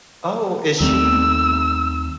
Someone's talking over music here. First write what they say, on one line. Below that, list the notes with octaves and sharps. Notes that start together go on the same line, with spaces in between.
Oh, is she
D#2 D#3 G3 A3 C4 E6